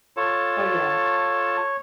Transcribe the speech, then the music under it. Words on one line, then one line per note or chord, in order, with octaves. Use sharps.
Oh, yeah.
F4 A4 C#5 A5